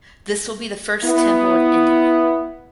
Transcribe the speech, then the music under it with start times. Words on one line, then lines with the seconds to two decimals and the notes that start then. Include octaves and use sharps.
This will be the first temple in India.
1.04 B3 E4